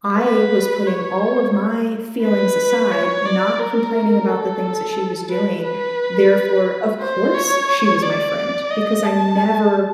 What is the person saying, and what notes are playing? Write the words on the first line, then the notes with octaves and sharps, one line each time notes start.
I was putting all of my feelings aside, not complaining about the things that she was doing. Therefore, of course, she was my friend because I never
B4
C#5
B4
C#5
D5
A#4
A4
B4
B4
C5
C#5
D5
D#5
A5